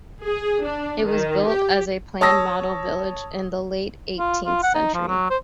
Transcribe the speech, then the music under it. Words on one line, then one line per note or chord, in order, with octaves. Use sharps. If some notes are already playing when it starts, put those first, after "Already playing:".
It was built as a planned model village in the late eighteenth century.
G#4
D4
D#3
G4
C#5 A5 D#6 E6 A#6
F4
F4
F#5
D#4
F3
F#3
C5